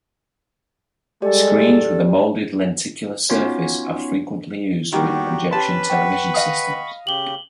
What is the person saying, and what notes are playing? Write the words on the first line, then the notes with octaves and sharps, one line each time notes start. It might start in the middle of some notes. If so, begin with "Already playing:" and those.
Screens with a molded lenticular surface are frequently used with projection television systems.
G3 G#3 G4 A4 D5
B3 C#4 D#4 F4 F#4 C#5
E2 D#3 G3 A#3 F#4 G4
C#4 G4 B4 A5 C6
F#5 G5 B5 C#6
D#5 F5 D#6
C#3 G4 F#7 G7